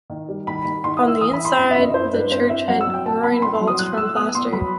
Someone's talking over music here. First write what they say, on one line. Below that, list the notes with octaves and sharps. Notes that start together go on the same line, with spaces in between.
On the inside the church had groin vaults from plaster.
D#3
G3
D#3 B5
D#3
D#3 C6
D#6
E4
E6
E3 D#6
B5
E4
C6
F#2 B5
E5
F#2
D#5
E4 C5
G2 B4
C4 C5
E4 E5
F#3 F#5
E6
F#3
G5
C3 A5
B3 B5
D#4 C6
C6
F#3
D#6
F#3 F#6
A3 E6
B3 D#6
B3 C6
F#3 B5